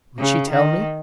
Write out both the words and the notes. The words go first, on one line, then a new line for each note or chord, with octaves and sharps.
Would she tell me?
C#3
D#3